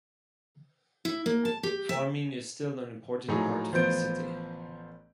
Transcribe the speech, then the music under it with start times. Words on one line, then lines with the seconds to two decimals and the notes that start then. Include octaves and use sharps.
Farming is still an important part of the city.
1.05 E4
1.26 A#3
1.45 A5
1.63 G4
1.89 E5
3.28 A2 F3 F#3 D#4 G#4
3.72 A1 F3 B3 C5 G6 D7